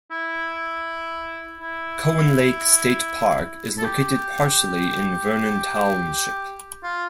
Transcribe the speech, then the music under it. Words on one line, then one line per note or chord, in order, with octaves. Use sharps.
Cowan Lake State Park is located partially in Vernon Township.
E4
E4
A4
G4
F4